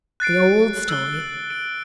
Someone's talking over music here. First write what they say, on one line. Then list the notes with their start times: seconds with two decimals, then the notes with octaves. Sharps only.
The old story.
0.20 F#6 A6 C7 D7
0.88 E6 F#6 G7
1.50 D7